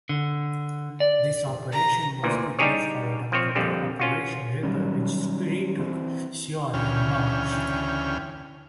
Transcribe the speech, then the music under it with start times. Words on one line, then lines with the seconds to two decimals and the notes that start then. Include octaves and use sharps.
This operation was quickly followed up with Operation Ripper, which retook Seoul in March.
0.09 D3
1.00 D5
1.72 A#5
2.23 D2 A#2 E3
2.59 G3 D4 D#4 G4 G#4 C#5
3.32 F3 C4 C#5
3.55 A#1 F2 D3 G3
3.99 C#4 F4 F#4
4.63 D#3 F#3 G3 C#4
5.79 E3 C4
6.74 D2 C#3 E3 C#4 G5 F6